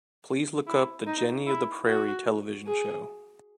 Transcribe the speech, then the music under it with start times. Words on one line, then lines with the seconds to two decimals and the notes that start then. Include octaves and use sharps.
Please look up the Jenny of the Prairie television show.
0.67 E4
1.07 D#4
1.47 E4
1.87 F#4
2.67 G#4